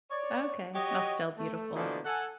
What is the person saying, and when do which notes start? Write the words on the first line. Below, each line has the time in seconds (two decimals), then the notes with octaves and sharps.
Okay. Well, still beautiful.
0.11 C#5 D5
0.74 F#4 G4 C#5 D#5
1.38 A3
1.75 B2 D3 E3 F3 A3 A#3
2.05 A4 F#5 G#5